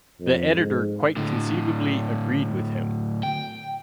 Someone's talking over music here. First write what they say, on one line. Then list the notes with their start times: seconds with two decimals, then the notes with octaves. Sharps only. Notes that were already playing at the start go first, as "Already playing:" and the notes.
The editor quite conceivably agreed with him.
0.20 F2
0.54 G#2
1.16 A2 D3
3.23 G5